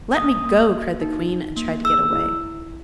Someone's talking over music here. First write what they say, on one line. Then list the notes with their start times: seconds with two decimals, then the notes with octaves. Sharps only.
"Let me go!" cried the Queen, and tried to get away.
0.17 A#3 D#6
0.45 A#3
0.73 F#4
1.01 D#4
1.29 D#4
1.56 A#3
1.85 G#4 E6
2.12 E4
2.41 E4